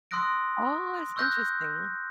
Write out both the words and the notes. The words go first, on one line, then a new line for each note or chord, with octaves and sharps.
Oh, that's interesting.
C6 D#6 E6 F#6 A#6 D7
C#6 E6 F#6 G6 A#6